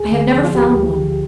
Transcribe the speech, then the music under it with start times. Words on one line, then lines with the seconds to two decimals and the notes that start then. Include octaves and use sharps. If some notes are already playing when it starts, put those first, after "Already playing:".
I have never found one.
Already playing: D2 G#4
0.11 D3
0.34 F3
0.44 F4
0.55 D2 G4
0.76 D2
0.99 D3